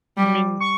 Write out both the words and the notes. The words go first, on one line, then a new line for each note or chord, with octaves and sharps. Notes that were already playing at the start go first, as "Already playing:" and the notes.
I mean
G3
C#6